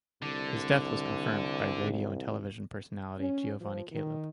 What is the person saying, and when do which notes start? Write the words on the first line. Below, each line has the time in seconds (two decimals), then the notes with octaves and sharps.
His death was confirmed by radio and television personality Giovani Caleb.
0.22 C2 D3
3.19 C#4
3.61 F3
3.92 D#3